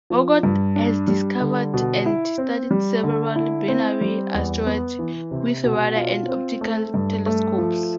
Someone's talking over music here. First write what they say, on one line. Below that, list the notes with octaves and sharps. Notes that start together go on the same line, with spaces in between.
Margot has discovered and studied several binary asteroids with radar and optical telescopes.
F3
G2
D4
G3
D3
B2
E4
C4
G3
D3
E4
C4
G3
E2
B3
E3
C3
B2
F4
C4
A3
G2
A3
F3